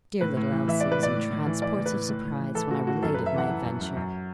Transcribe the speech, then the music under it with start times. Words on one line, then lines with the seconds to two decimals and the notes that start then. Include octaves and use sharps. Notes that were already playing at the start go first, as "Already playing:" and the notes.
Dear little Elsie was in transports of surprise when I related my adventure.
0.21 A2 B4
0.37 A2
0.52 E3
0.68 E3 E5
0.80 A2 D5
0.92 B4
0.99 A2 D5
1.15 A2
1.31 A2
1.46 E3
1.62 E3 D5
1.77 A2
1.86 B4
1.93 A2
2.09 A2
2.25 A2
2.40 E3
2.55 E3 A4
2.71 A2 F#4
2.87 A2 F#4
3.02 F#2 A4
3.14 B4
3.19 F#2
3.26 E5
3.34 E3 F#5
3.50 E3
3.65 F#2
3.81 F#2
3.96 F#2